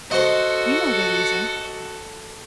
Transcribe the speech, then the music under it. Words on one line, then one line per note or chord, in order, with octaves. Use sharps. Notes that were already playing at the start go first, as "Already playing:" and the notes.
You know the reason.
F#4 A4 C5 D#5